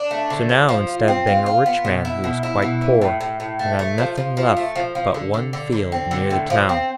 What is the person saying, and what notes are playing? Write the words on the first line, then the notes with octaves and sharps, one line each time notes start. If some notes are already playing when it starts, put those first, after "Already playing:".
So now instead of being a rich man he was quite poor, and had nothing left but one field near the town.
Already playing: D4
A3
D3
F3
F3
F4
C4
F4
F4
B3
B2
E4
B2
E4
B2
E3
A2
A2
A2
A3
A3
F3
F3
F3
A3
F3
F3
D3
D3
D3
D3
C4
D3
A2
F3
C4